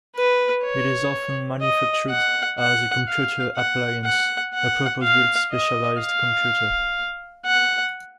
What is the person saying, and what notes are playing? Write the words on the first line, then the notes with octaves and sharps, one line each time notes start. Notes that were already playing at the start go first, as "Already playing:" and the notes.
It is often manufactured as a computer appliance - a purpose-built specialized computer.
B4
C#5
D#5
F#5
F#5
F5
F#5
F#5
F#5
F5
D#5
F5
F#5